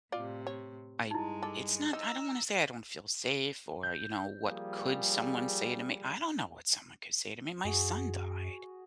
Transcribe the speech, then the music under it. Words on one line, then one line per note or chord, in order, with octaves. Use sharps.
I it's not I don't wanna say I don't feel safe or, you know, what could someone say to me. I don't know what someone could say to me; my son died,
A2 C3 F4 D5
C#5
G2 G#3 D#4 E4
A4 D6
D#4 A#5 E6
G6
F3 G3 A#3 G#4
F#2 F#4 G#4